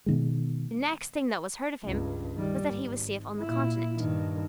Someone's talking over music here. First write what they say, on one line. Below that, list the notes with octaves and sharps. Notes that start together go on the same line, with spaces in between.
The next thing that was heard of him was that he was safe on the Continent.
B2 D#3 G#3
C#2 G2
D#3 G3
G#1
A#2 E4
G2 D#3